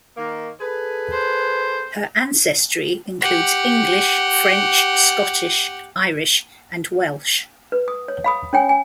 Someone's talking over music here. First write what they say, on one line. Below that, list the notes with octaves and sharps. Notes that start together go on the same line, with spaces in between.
Her ancestry includes English, French, Scottish, Irish, and Welsh.
D#3 A#3
G#4 A4 B4
C5
G4 F#5
B4
D#6
C#5
F5 B5 D#6
C#4 C#5 G5 G#5
G#5